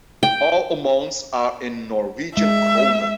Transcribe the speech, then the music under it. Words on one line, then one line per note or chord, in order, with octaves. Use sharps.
All amounts are in Norwegian kroner.
G5
G#3 E5